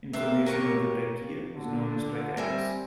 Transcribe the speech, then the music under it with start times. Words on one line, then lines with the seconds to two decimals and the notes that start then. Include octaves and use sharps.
Inflammation of the trachea is known as tracheitis.
0.13 A#3 G4 B4 C5 E5
0.46 A#4 C#5 C#6
1.54 D3
2.37 G3 C4 A#4 E5 G#5